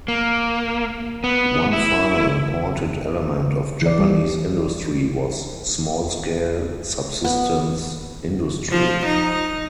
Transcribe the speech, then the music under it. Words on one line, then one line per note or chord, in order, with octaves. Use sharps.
One final important element of Japanese industry was small-scale, subsistence industry.
A#3
B3
E4
E3 D5
G3
B3
F3
D#4